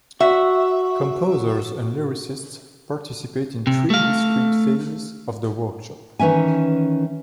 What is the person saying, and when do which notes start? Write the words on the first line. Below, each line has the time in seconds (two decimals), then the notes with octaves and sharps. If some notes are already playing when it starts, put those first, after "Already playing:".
Composers and lyricists participate in three discrete phases of the Workshop.
0.20 F#4 E5
3.67 C3
3.90 A3 F5
6.19 D#3 E3 C#4 E5 G#5